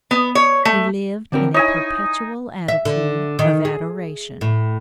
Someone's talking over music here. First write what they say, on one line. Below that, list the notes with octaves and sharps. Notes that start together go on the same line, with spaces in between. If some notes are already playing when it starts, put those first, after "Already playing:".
He lived in a perpetual attitude of adoration.
B3
C#5
A3
D3 C4 A#4
D#4 E4 C#5 D#5 G#5
E5
D3
D#3
G#4
A2